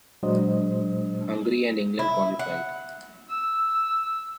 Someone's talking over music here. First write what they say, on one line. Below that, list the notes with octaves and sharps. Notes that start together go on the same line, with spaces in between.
Hungary and England qualified.
A#2 F#3 G#3 D4 C5 D#5
E4
F#5
E6